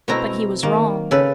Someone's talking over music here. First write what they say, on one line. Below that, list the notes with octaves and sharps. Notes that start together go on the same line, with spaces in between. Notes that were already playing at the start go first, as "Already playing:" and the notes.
But he was wrong.
B2 A3 C4 E4 A#5
D#3 A#3
C#3 A4 B4